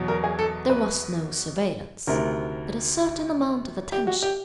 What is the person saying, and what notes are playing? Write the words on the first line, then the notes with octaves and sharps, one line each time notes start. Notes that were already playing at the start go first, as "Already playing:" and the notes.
There was no surveillance, but a certain amount of attention.
Already playing: E2 B2 F#3
A#4
G#4
A4
B4
D2 C3 D#3 A#4
G4
F#4
G4